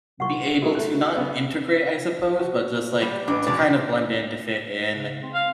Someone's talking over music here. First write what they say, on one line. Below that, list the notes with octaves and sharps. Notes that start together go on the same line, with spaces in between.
Be able to not integrate, I suppose, but just like to kind of blend in, to fit in,
C2 A#2 F#5 C#6
G#3 B3 E4 F#4 A4
A3 E4 F#6
C#3 B3 D4
F#4
G3 D5
A1 D4 B4
E2 B2 G#3 D5 A6
C#3
C4
F5